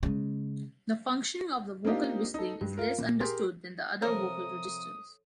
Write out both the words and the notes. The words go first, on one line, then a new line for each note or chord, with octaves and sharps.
The functioning of the vocal whistling is less understood than the other vocal registers.
C#3 G#3
A#3 C4 D4 D#4 F4 G4
D#4 A4
G2
F4 A#4
A#2
G4 G#4 A#4 C6
C3 F3 A4 A#4 C#5 D#6